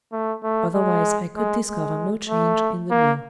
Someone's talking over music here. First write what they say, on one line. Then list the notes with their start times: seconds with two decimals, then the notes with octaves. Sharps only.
Otherwise, I could discover no change in the mill.
0.12 A3
0.43 A3
0.74 G#3
1.36 G#3
1.67 G#3
2.28 A3
2.90 A#3